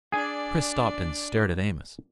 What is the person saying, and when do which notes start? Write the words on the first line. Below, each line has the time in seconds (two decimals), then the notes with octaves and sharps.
Chris stopped and stared at Amos.
0.12 D4 G#4 D5 G#5